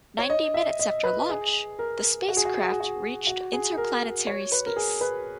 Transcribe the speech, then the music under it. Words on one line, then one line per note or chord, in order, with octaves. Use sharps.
Ninety minutes after launch, the spacecraft reached interplanetary space.
C#5
D#5
E5
D#5
B4
G#4
A#4
F#4
G#4
F#4
G#4
F#4
G#4
F#4
F#4
G#4
A#4
C#5
B4
A#4
G#4
B4